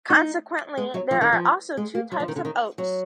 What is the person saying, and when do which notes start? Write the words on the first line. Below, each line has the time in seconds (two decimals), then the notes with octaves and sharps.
Consequently, there are also two types of oaths.
0.10 D#4
0.77 G#3
0.94 F#3
1.11 F3
1.21 D#3
1.33 F3
1.77 G#3
1.95 A#3
2.12 F#3
2.20 F3
2.28 D#3
2.36 D3
2.45 D#3
2.78 F#3